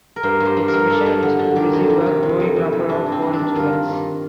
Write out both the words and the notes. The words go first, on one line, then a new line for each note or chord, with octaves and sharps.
Its mission is to receive a growing number of foreign students.
A#4
G2 C5
G2
C5
G2
A#4
G2
G2 A4
G2
D3
D3
D#3 G4
F2
D#3
C3
C3
F2
F2
C3
G2 D4
G2
C4
G2
D4
D#3
G2 F4
D#3
G2